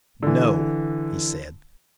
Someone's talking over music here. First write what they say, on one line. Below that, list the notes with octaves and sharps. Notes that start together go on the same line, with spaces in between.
"No!" he said.
D3 E3